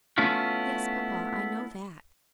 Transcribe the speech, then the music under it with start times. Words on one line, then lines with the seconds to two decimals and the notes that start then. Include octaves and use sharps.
"Yes, papa, I know that."
0.18 A3 B3 C#4 E4 F4